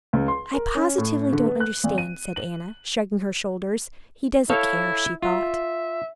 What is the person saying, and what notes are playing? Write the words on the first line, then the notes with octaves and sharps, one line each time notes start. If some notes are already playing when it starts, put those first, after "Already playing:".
"I positively don't understand," said Anna, shrugging her shoulders--"He doesn't care," she thought.
C#2
C6
A#4
C#4
A2
D3
B3
F#6
G#1
D#7
F#7
E4 A4 C#5 F5
F4 E5